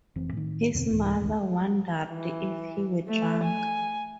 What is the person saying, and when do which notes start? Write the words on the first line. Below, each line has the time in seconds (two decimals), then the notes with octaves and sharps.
His mother wondered if he were drunk.
0.16 F1 E3 C4
0.33 A2 D#3
0.75 E2 B2 D3 C4
0.90 C2 G#2 E3
1.20 E1 A1 D2 D#3
2.08 E3
3.08 A3
3.44 G#5